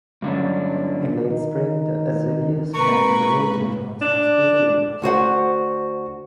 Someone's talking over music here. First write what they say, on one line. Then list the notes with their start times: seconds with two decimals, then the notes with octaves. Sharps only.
In late spring, the azaleas and rhododendrons are especially impressive.
0.22 G2 D3 F#3 C#4 D4
1.31 D#3
2.74 G#2 C3 A#3 A#4 B4 B5 C#6
4.02 D4
5.02 D2 F#4 C5 F#5